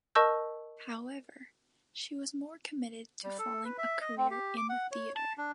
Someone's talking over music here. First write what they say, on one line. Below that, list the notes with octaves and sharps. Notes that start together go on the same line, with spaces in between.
However, she was more committed to following a career in the theater.
A#4 D#5 A5 C#6 E6 G6
G3
A4
B4
E5
D#5
C4
G4
D6
F#5
C#5
A5
D4